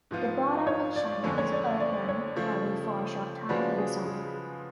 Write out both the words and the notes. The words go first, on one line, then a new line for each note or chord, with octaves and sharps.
The border with China is open only for a short time in the summer.
G#2 F3 B3 F4
C#5
D5
F2 D3 G#3 C#4 C#5
C#5
D5
D5
C#5
C#3 F3 A3
C#3 F3 G#3 D4 F#4 B4
G#4
G#4